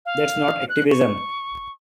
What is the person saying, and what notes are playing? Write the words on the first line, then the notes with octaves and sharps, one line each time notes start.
That's not activism.
F5
F#6
C#6